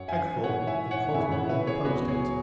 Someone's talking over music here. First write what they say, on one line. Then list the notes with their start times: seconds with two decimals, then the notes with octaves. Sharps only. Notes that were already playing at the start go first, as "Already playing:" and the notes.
Hagthorpe incontinently opposed it.
Already playing: F#2 F#3 C#5 F#5
0.08 E5 G#5
0.43 G#2 E3 C#5 F#5
0.67 E5 G#5
0.91 C#5 F#5
1.14 F#2 C#3 E3 E5 G#5
1.31 C#5 F#5
1.49 B4 E5
1.67 G#4 C#5
1.85 C#2 B2 F#3 F#4 B4
2.08 G#4 C#5